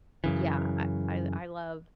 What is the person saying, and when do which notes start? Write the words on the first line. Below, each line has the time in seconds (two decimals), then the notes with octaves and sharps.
yeah, I I I love
0.24 F#2 C#3 E3